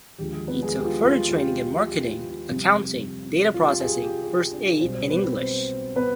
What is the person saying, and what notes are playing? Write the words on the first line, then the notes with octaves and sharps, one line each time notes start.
He took further training in marketing, accounting, data processing, first aid and English.
D#2 D3 F3 G#3 G4
G4
B3 B4
G#3 G#4
G4
F4
F4
F4
G4
G4
F4
F4
F2 C3 G3 G4
F4
G4
G#4
G4
F4
G4
G4
D4 D5
B1 B2 G3 C4 C5
C4 C5
B3 B4
C4 C5
C4 C5
B3 B4